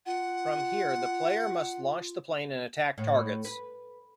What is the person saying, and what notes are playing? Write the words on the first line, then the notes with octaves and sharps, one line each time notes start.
From here the player must launch the plane and attack targets.
F4 F#5
A2
B4